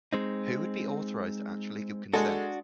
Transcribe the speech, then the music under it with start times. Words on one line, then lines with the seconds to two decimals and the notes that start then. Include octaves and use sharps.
Who would be authorized to actually give consent?
0.13 G#3 C4 D#4
2.13 G#3 D4 F#4 A4